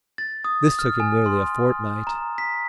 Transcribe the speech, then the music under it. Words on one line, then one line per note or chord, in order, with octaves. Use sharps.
This took him nearly a fortnight.
A6
D#6
F6
G#5
C6
A#5
B6